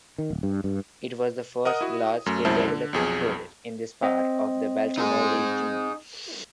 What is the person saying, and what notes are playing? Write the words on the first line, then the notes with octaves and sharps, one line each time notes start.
It was the first large-scale development project in this part of the Baltimore region.
D#3
D1
G2
G2
A#4 D#5 F#5 D#6
E4 F#4
F#2 A3
C2 F#2 G#3 E4 C5 A5
D3
B1 F2 G#4
C4 D#5
D#4 G#4